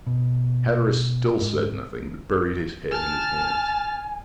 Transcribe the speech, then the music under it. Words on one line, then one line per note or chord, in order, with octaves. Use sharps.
Hatteras still said nothing, but buried his head in his hands.
B2
G#2
G#5 A5 F6 A6